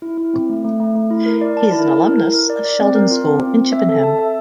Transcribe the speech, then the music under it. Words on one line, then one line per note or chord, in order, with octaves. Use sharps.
He is an alumnus of Sheldon School in Chippenham.
E4
E4
C4
A3
A3
A3
A3
E4
A#4
D5
A5
E4
A#4
E4
A#4
A#4
D5
D5
C4
A#4
F4
C4
C4
C4
E5
A4
A5
E5